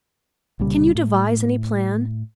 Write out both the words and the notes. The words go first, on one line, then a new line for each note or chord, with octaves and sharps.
Can you devise any plan?
C2 A#2 C#3 G3
A2